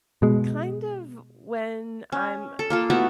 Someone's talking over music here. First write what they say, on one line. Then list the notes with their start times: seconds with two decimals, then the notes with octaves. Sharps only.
Kind of when I'm
0.22 B2 G#3
2.12 C#4
2.59 A4
2.70 A#3 F4 A4
2.90 A3 B3 E4 F#4